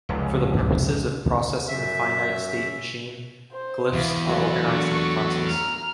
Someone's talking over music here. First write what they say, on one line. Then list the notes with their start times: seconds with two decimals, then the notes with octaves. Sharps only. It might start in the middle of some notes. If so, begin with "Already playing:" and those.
For the purposes of processing the finite state machine, glyphs are organized into classes.
0.09 F1 C#2
1.68 F#2 E5
3.52 C5
3.93 E2 E4 F5
4.27 F#3 A3
4.64 D4 C#6
5.47 A#5 F6